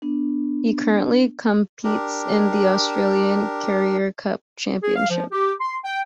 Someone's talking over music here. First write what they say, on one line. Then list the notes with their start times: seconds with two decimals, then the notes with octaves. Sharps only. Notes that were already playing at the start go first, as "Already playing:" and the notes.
He currently competes in the Australian Carrera Cup Championship.
0.02 B3 D4
1.84 D4 G4 A#4
4.82 G#4
4.96 F5
5.10 F3
5.32 G4
5.61 C6
5.84 G5